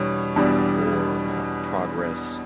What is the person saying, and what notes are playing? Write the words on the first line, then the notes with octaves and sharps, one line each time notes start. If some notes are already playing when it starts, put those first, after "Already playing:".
or, uh, progress,
Already playing: E2 B2 G3 D4 C#5
E2 B2 G3 D4